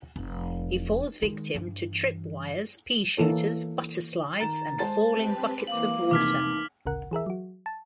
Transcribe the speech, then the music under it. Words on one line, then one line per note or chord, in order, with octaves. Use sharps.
He falls victim to tripwires, peashooters, butter-slides, and falling buckets of water.
F1
D#3 G#3
G2 E3
E3 A#3 A4 C#5
D#3 A#5 A6 E7
G#3 C5 A5 A6
C4 G4 B4
E3 A#3 F5 D6 F#7
F1 C2 D#4 D6 F6 G#6 B6
A1 D2 C#3 A#4 F#5
E3 G#4 A#4 E5
F#3 F#4
A5